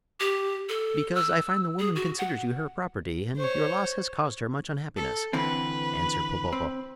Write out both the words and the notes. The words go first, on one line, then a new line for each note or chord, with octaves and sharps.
"Because I find the woman considers you her property, and your loss has caused her much unhappiness," answered Popopo.
G4
A4
E6
G#4
F#4
F#5
C5 C#5
A4
D3 E3 C4 B4
C4